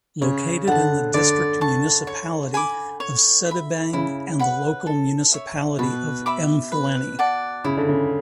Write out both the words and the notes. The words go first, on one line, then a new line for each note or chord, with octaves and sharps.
Located in the district municipality of Sedibeng and the local municipality of Emfuleni.
C#3 C#5
D3 F#5 A5
D3 D5
A5 C#6
C#5
G#5 B5 D6
C#5
E5 B5
C#3 E4
B4 F#5 B5
A4
C#5 E5
B2 B4
E5 B5 D6
B4
D5 F#5 A5
C#3 E4
D3
C#3